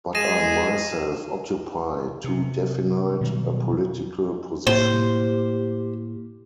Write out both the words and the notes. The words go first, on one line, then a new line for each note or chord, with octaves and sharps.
But I myself occupy too definite a political position.
G#3 G#4 A#6 D#7 E7
C3
B2 D#3 F#3 G3
A2 A#3 G4 C5